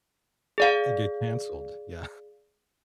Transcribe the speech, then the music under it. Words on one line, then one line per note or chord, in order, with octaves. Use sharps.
It'd get canceled. Yeah.
G#4 D5 F5